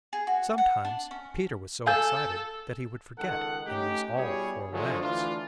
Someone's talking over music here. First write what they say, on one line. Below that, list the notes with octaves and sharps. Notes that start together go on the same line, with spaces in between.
Sometimes Peter was so excited that he would forget and use all four legs.
G#4
F#4
F#5
D4
C#4
A4 F5 G#5 G6
C#2 D#3 A4 F#5
A3 C#4 D#4 G4
B2 G3 E4 G#4 C#5
D3 F3 F#3 G#3 A3 C#4
D2 E3 D4 F4